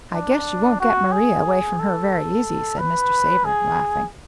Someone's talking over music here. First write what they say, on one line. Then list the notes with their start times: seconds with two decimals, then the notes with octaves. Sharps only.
"I guess you won't get Maria away from her very easy," said Mr. Savor, laughing.
0.13 D4
0.80 F#4
1.12 G#4
1.79 A4
2.78 B4
3.45 G#4